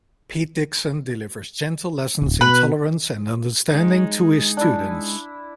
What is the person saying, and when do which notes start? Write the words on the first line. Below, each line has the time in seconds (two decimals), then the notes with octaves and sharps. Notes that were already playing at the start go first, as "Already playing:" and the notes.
Pete Dixon delivers gentle lessons in tolerance and understanding to his students.
2.22 D1 G#1
2.41 B2 B4
3.71 G#3 D#4
4.57 D4 E4